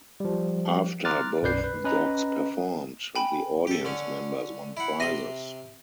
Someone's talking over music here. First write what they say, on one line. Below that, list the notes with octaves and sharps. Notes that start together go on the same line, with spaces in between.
After both dogs performed, the audience members won prizes.
F3 G3
A#5 C6 D6 F6 F#6 A6
B1 F#2 B4 D5 G6 C7
B4
C#4 B4 D#5 A#5
G5 G#5 B5
G4 A4
D3 C#4
E4 F#5
C3 E5 C6 A#6 D#7